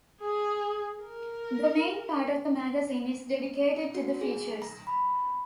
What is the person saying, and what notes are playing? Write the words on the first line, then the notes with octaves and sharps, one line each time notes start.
The main part of the magazine is dedicated to the features.
G#4
A#4
F#4
G#4
A#5
B5